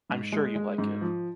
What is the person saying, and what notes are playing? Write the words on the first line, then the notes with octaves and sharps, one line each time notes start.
I’m sure you like it.
G#2
G#3
G#3
G#2
F3